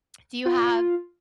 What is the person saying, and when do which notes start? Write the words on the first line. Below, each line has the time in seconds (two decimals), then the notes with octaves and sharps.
Do you have
0.46 F4